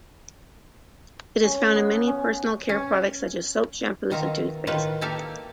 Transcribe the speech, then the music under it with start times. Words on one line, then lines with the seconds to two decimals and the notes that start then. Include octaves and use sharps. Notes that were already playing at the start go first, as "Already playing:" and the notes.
It is found in many personal care products such as soaps, shampoos, and toothpaste.
1.43 C#4
1.75 B3
2.08 C#4
2.69 C#4
4.11 B2 D#3 F4 E5 A#5
4.67 A2 D#3 F4 B4
5.01 A#3 G4 A4 E5 F5